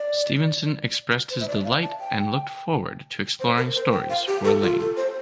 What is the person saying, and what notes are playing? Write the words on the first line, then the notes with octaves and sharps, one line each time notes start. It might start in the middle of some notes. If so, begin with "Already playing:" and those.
Stevenson expressed his delight and looked forward to exploring stories for Iain.
Already playing: D5
C5
E5
D5
F5
A5
G5
C5
A#4
C5
G5
F5
G4
A4
F4
A4
C5